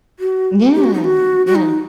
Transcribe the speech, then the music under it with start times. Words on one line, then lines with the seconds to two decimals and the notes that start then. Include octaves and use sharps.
Yeah, yeah.
0.19 F#4
0.75 G4
0.84 F#4
0.94 D#4
1.04 F#4
1.46 F#4
1.55 D#4